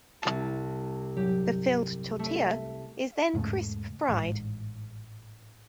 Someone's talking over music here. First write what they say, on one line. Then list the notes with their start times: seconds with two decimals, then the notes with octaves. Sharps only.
The filled tortilla is then crisp-fried.
0.22 C2 A5
1.17 D1 G1 F#3 G4
2.19 A3
3.34 E1 G#2 C#3 A3
4.09 A1 G#2